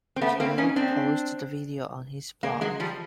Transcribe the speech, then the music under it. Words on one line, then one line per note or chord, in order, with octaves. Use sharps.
Kele posted the video on his blog.
C4
A3 B3
A#3 C4
C#4 D#4
C4 D4
G#3 A#3
F#3 G#3
F3 G3